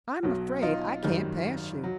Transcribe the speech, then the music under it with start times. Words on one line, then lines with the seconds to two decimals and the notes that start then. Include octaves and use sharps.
"I'm afraid I can't pass you."
0.23 B1 B2 F#3
0.62 D#4 F4
1.03 G#1 F#2 D#3 G3
1.83 F#3